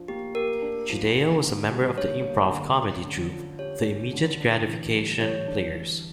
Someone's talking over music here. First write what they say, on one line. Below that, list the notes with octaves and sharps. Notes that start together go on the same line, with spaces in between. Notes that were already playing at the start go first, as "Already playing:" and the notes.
Chideya was a member of the improv comedy troupe The Immediate Gratification Players.
Already playing: F3 D4
A#3 G4
G4 A#4
D4
F3
A#3
D3
G3
D3 C#5
A#3
D3
C#4
D3
F3
G4 C#5
C#4
D3
D4
E3
G3
E3 C#5
D4
E3